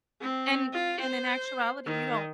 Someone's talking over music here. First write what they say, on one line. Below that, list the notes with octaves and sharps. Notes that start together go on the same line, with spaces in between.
and and in actuality, you don't
C4
F4
C5
D#3